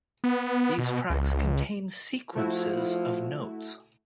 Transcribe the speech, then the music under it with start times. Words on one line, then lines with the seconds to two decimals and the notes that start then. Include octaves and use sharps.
These tracks contain sequences of notes.
0.24 B3
0.78 B2
1.10 C#2
2.35 F3 A3 E4 F#4